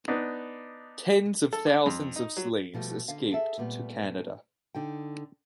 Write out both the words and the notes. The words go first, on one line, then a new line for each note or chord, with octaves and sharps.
Tens of thousands of slaves escaped to Canada.
B3 D4 D#4
A4
D4
F2
D#4
F#3
B2 F3 G3 A3
D3 F5
G#4 A4 E5
A#2 G3 A3 B3
D3 D#4 G5